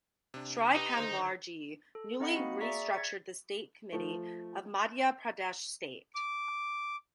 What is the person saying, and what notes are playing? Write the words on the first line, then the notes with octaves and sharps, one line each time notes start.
Shri Kanwar ji newly restructured the state committee of Madhya Pradesh State.
C3 D4
D#4 G4 B4
D3 D#3 C5
A4
C4 D#4 D#5 F#5 B5 C#7
A#3 F#4
G#4 D5 E5 A#5 C#6 B6
G#6 A6 B6 C#7
F3 A3
D6